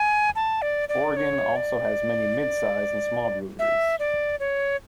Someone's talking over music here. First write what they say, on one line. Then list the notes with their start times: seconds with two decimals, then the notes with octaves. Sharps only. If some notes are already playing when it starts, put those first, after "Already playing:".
Oregon also has many mid-size and small breweries.
Already playing: G#5
0.35 A5
0.62 D5
0.89 D5
1.16 C#5
1.56 D5
3.59 E5
3.99 D5
4.40 C#5